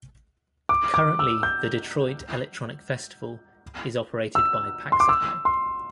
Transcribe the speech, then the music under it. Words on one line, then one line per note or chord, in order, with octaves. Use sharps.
Currently, the Detroit Electronic Festival is operated by Paxahau.
D6
D6
E6
G6
E6
C6
D6
E6
C6